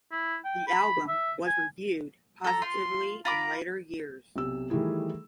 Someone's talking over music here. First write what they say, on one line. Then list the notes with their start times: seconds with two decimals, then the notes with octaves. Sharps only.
The album was reviewed positively in later years.
0.12 E4
0.45 G5
0.67 B5
1.08 E5
1.47 G#5
2.44 A4 A#5
2.62 F4 C6
3.25 F4 A#5 B5 D6
4.36 B1 C3 E6
4.70 D#3 E3 G3 A3 E4 G#4